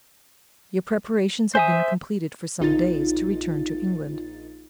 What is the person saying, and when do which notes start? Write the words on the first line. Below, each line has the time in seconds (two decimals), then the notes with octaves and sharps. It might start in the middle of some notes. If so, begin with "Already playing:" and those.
Your preparations have been completed for some days, to return to England.
1.55 C5 E5 G#5 D#6
2.60 A#1 D#4 F4 A6